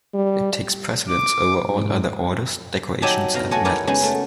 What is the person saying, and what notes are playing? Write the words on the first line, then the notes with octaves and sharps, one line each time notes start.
It takes precedence over all other Orders, decorations and medals.
G3
D6
G#2
F#3 D#4 G4 E5 G#5 A5
B2 F5 A#5
A3 F#4 G#4 A4 C#5 D#5
D#4 E4 A#4 B4 C#5 D5
C#3 G#3 B3 D#4 F#4 G#4
A3